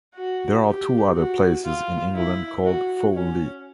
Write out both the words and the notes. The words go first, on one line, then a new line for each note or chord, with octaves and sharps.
There are two other places in England called Fawley.
F#4
G4
F#4
F4
E4
F#4
C#4